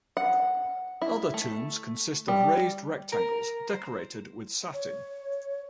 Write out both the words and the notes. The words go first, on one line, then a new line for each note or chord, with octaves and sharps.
Other tombs consist of raised rectangles, decorated with satin.
F#5
E4
A3
G3
A#4
C5
C#5